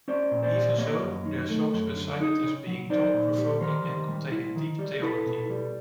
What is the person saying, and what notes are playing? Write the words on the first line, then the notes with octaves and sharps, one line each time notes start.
Even so, their songs were cited as being thought-provoking and containing deep theology.
C#4 C5 D5
A#2
C5 D5
G3
A#3 C#5 D#5
F#2
D#3
A3
F#2
D3
D#4
C#3
F#3
D#4 C5 D5
A#2
G3
D#3 A#4 C5
D#3
G3
E4
D#3
G3
E4 A4 B4
B2
G3